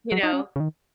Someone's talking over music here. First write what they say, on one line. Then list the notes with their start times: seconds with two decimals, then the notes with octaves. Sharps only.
you know?
0.12 F#3
0.23 D#4
0.33 C#4
0.56 C#3
0.60 D#3